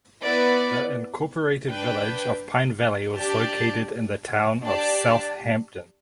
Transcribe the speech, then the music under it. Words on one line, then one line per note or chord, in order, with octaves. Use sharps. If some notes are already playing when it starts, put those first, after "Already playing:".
The Incorporated Village of Pine Valley was located in the Town of Southampton.
B3 E4 B4 D5
D4 B4 G5
D4 G4 D5 A5
D4 G4 D5 A5